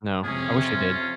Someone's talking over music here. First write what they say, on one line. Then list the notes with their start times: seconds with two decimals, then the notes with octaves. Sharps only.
No. I wish I did.
0.23 F2 C3 C#4 G#4
0.65 F4